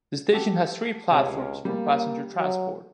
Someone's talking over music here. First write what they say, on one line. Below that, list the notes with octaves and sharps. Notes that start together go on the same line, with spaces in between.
The station has three platforms for passenger transport.
F#4 G4 A4
C#2 C3 C#5 F5
G3 A#3
F#3